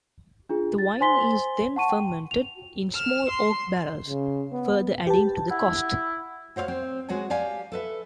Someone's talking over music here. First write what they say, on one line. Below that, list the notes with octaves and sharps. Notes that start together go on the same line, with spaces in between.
The wine is then fermented in small oak barrels, further adding to the cost.
D4 F4 G#4
A6
C5 G#5 C6 B6 G7
F#5 A5 C#6 D#7
G5
F7
F6 E7
C6
C#3
B3
G4 B4 A5
E4 F#5
F#4 C5 C#5 D#5 F5
C4
G#3 F#4 G#4 C#5 G#5
G4 D5 F5 G#5
A4 B4 E5